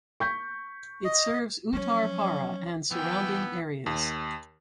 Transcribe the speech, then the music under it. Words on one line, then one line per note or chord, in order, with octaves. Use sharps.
It serves Uttarpara and surrounding areas.
C#6 G6 B6
D#5
F3 F#3 C#4
E3 F3 B3 G5 E6
D#2